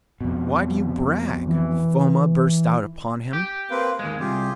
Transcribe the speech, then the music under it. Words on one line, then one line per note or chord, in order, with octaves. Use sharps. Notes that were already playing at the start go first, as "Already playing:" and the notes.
"Why do you brag?" Foma, bursts out upon him.
F2 B2
E3
G4
A#3 C4 B4
D#2 G#3 A#3
C2 F4 G4 G#4